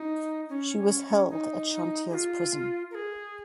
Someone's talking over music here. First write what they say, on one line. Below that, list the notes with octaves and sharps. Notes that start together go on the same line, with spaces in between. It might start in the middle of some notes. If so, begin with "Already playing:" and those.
She was held at Chantiers prison.
Already playing: D#4
C#4
D#4
G#4
F4
A#4
G#4